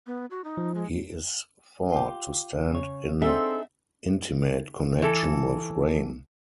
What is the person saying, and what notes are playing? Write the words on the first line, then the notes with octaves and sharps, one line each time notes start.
He is thought to stand in intimate connection with rain.
B3
F#4
D#4
F3
G#3
F4 G4
C#3 C#5
C4 D4 D#4 G#4 A4 E5
E3 A4